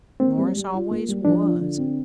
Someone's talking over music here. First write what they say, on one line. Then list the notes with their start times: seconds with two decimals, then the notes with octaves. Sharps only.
Morris always was.
0.20 A#3 C4
0.38 G3
0.56 G3
0.73 F4
0.91 A#3
1.08 G3
1.25 F3 D4
1.43 F4
1.60 D3
1.78 C4